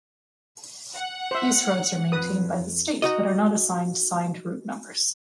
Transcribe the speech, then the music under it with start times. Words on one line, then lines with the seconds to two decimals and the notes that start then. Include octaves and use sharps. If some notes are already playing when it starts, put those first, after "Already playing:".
These roads are maintained by the state but are not assigned signed route numbers.
0.94 F#5
1.31 C5 E5
2.12 F2 B4 D#6
3.02 D#4 F#4 D#5